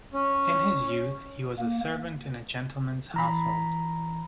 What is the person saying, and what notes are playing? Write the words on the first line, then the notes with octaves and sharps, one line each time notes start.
In his youth he was a servant in a gentleman's household.
C#4
A#3
E3 A#5 B5